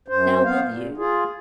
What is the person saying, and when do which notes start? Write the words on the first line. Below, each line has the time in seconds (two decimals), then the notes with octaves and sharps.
Now, will you?'
0.08 F#2 C5
0.45 B3 F5
0.63 A#2
0.97 F4 G#4